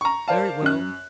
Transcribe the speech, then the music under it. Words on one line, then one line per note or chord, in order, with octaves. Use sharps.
"Very well."
A#5 C#6
A#4 C5 D5 F5 A5
F#2 F#6